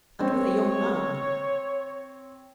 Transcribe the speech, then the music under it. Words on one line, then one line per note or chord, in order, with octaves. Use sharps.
'And with a young man?'
C4 C#5